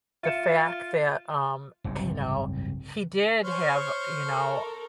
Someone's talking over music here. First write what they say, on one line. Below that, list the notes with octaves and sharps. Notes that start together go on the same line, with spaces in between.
the fact that, um, you know, he did have, you know
F4 E5 C#7 E7
F#1 C2 G#2
C5 C#5 C#6 F6
A4 A#4